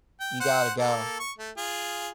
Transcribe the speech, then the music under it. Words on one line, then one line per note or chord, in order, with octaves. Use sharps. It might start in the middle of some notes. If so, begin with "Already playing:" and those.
You gotta go.
G5
C5 F#5
A#3 A4
C#6
A3
F4 G#4